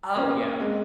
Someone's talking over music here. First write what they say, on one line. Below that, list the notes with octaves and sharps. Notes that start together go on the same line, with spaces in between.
Oh yeah,
A#3 C#4
G#3 C4